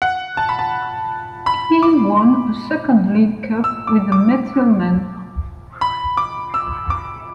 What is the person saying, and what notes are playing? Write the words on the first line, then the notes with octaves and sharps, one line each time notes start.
He won a second league cup with the Methil men.
F#5
A5
B5
A5
B5
D6
E6
D6
D6
B5
D6
E6
D6